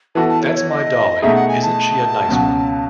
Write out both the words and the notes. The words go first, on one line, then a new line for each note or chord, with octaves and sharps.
That's my dolly; isn't she a nice one?
E3 B3 F#4 A4 A5
A5
C#5
C#5
D#5
B2 A3 D#4 G#4 E5
F#5
G#5
A5
C#2 B2 F#3 C#4